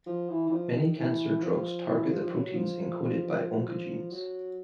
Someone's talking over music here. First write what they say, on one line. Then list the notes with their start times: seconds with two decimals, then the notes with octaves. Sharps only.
Many cancer drugs target the proteins encoded by oncogenes.
0.06 F3
0.29 E3
0.46 E3
0.52 F3
0.75 D#3
0.97 E3
1.41 F3
1.87 E3
2.09 F3
2.23 F3
2.32 F#3
2.54 F3
3.67 F3
4.12 F#3